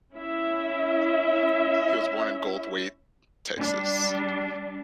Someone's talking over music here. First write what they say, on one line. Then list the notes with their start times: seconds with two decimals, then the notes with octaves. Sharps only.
He was born in Goldthwaite, Texas.
0.13 C#4 E4 E5
3.57 G3 D4